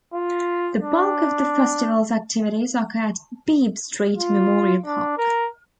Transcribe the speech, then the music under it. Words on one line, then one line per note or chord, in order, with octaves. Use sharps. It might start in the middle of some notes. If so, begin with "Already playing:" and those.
The bulk of the festival's activities occur at Beebe Street Memorial Park.
F4
D4
F4
D4
A#4